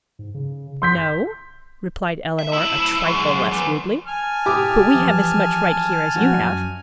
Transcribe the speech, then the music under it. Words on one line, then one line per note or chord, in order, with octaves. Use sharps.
"No," replied Eleanor a trifle less rudely, "but we have as much right here as you have."
G#2
C#3
G1 C6 G6 B6
E5
D2 E4
F#2 G#3
E2
G#5 A5 F6
A2 C3 E4 G4 D6 D#6
E3 F3 A3
A#2 F3 D4 F#4
F#2